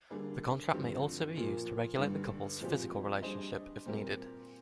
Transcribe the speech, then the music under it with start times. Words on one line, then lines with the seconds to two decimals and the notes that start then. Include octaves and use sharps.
The contract may also be used to regulate the couple's physical relationship, if needed.
0.10 D3 G3 A#3 D4 G#4
0.73 G2 D3 F3 C4 G4
1.36 A#2 F3 A#3 F4
1.98 G2 D3 G3
2.60 A#2 F3 G#3 C4 G4
3.22 G3 D4 G#4 C5 D#5
3.85 A#2 G3 C4 G4 A#4